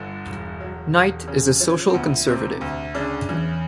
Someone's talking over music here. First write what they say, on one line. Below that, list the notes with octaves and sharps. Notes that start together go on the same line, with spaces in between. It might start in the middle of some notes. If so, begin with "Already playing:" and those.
Knight is a social conservative.
Already playing: G1 D3
E1
F#3
E1
C#3
F3 C#4
C4
D2 B3
C3 C4
D2
C#3 D4
E2